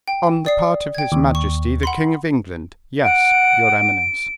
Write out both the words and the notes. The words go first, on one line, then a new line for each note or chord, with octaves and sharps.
"On the part of his majesty, the king of England, yes, your eminence."
G5
D5 D#6 C7
G5 G#6
D#2
C#6
F#5 B5 C6
F#5 D7